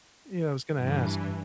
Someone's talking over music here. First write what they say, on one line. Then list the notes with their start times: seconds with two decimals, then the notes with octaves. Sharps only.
Yeah, I was gonna ask.
0.79 G2 E3